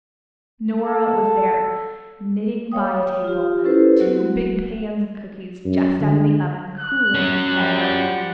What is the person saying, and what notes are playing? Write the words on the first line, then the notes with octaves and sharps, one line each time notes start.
Nora was there knitting by a table, two big pans of cookies just out of the oven cooling in front of her.
A4
C#5 F5 G5 D#6
F4 G4
C#4 E4 G4 A4 B4 C5
F#3 F#4
F#2
D3
F#6
F#3 C#4
F3 G3
F#5